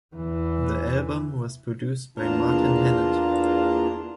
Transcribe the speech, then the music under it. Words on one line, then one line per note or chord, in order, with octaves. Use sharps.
The album was produced by Martin Hannett.
E2 E3
E2 A#3 D4 F4 A5 A#5